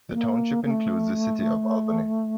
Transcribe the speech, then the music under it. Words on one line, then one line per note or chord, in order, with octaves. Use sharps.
The township includes the city of Albany.
A#3
A#3
A3